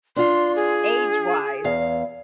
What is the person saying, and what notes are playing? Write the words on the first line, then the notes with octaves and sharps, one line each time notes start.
age wise
D4 F4 C6
G#4
E2 F5